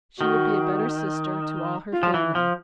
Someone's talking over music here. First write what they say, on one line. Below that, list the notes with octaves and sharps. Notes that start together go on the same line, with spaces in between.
She would be a better sister to all her family.
D#3 F#4
F4
F3
E3
F3